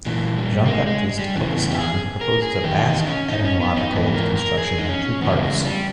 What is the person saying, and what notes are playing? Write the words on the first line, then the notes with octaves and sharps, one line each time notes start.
Jean-Baptiste Orpustan proposes a Basque etymological construction in two parts.
A#2 E3
G3
A#3
G#3
G#3
G3
E2 C#3 E3
B3
G4
G#4
A#4
G#4
E2 D#3 G4
D#4
C#4
D#4
C#4
B3
D#4
G#2 E3 B3
A#4
A#4
G#4
D#4
C#4
E2 C#3 B3
G#3
G3